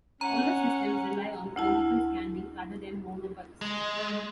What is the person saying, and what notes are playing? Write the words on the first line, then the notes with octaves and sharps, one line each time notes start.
Older systems rely on conical scanning rather than monopulse.
C#4 F#5 A#5
D2 E4 A5
G#3